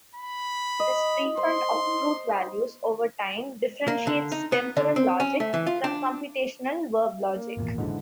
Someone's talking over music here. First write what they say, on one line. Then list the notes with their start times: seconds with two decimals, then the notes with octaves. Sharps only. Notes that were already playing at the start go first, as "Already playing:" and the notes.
This treatment of truth values over time differentiates temporal logic from computational verb logic.
0.15 B5
0.80 D#5
1.37 C5 C6
3.88 A#3
4.07 D3
4.32 D#4
4.52 B3
4.77 D3
4.96 C4
5.20 C#4
5.40 A3
5.54 E3
5.67 F4
5.84 D4
7.35 A#3
7.57 G#1 E2 A#2
7.78 G#2 D3 E3